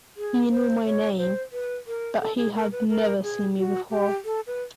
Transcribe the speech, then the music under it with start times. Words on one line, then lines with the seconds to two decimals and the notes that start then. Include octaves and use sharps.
He knew my name, but he had never seen me before.
0.17 G#4
0.51 C5
0.86 C#5
1.18 C5
1.52 B4
1.87 A#4
2.21 A4
2.37 G#4
2.55 A#4
2.72 B4
2.89 A#4
3.23 G#4
3.57 F#4
3.91 G4
4.25 A4
4.47 B4